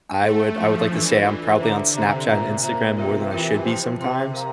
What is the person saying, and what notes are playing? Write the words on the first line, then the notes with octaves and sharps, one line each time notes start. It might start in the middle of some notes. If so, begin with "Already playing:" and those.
I would I would like to say I'm probably on Snapchat and Instagram more than I should be sometimes.
A3 A4 E5 G5 C6
F3 A4 E5 G5 C6
E3 D4 F4 A4 D5
E3 D4 F4 A4 D5
D3 C5 E5 A#5 D6
C3 C5 E5 A#5 D6
A#2 C5 E5 A#5
A#2 C5 E5 A#5
C3 F4 A#4 E5 G5
E3 F4 A#4 E5 G5
F3 C5 G5 C6
C3 C5 G5 C6
A#4 F5 A#5